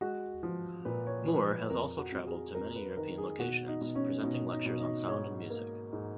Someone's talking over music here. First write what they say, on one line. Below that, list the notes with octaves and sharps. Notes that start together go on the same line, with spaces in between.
Moore has also travelled to many European locations, presenting lectures on sound and music.
G#3 F#4
F3
A#2 B4
C#5
F3 B4
B4
F2 A#4
F#4
F2
G#4
F2 A#4
B4
D#3 A#4
G#4
B2 F#4
D#4
B2
C#4
B2 D#4
D#4
B2
D#4
G#2 C#5
A#3
G#2